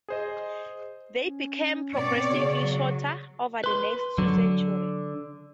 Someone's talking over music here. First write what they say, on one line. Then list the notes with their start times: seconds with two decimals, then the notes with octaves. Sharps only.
They became progressively shorter over the next two centuries.
0.08 G#4 C5 D#5
1.21 C#4
1.96 B2 C4 C#5 D5
2.29 C#3
2.59 F#3
3.64 B4 C6
4.18 D3 F#3